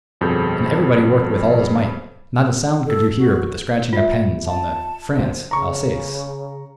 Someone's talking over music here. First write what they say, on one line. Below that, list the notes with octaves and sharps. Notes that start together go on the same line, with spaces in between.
And everybody worked with all his might,--not a sound could you hear but the scratching of pens on the "France: Alsace."
G1 F2 B2 G#4 A4 G6
A4
F#4
F4 E5
A5
A#1 F#2 D3 C5
C#3 A#5 C#6